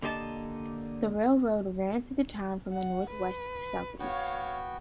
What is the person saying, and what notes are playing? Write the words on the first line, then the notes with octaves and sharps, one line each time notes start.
The railroad ran through the town from the northwest to the southeast.
D3 A#3 G4 D#5 A5
F#5
B4
B3 F#4 C#5 F5 G5